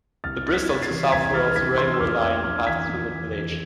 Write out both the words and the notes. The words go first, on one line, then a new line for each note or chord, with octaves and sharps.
The Bristol to South Wales railway line passed through the village.
C2 F6 A6
C3 A6
G#6 B6
C2
A6 C7
E3
C2 G#6 B6
E3 F6 A6
C2 G#6 B6
E3 C6 E6
E6
F2 D6 F6
F2 E6 G#6
F2 D6 F6
E3 G#6 B6
F2
E3
E3